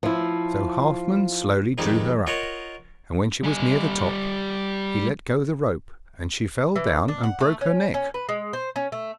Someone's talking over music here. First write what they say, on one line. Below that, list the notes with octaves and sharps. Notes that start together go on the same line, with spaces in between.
So Halfman slowly drew her up, and when she was near the top he let go the rope, and she fell down and broke her neck.
F3 E4
F2 D#3 G3 G#3 D#4
F4 A#4 C#5 D#5 F#5
G3 G#5
E3
D4
F#5
A3
C#4
C#4
B4
G#3
C5
C#4
A3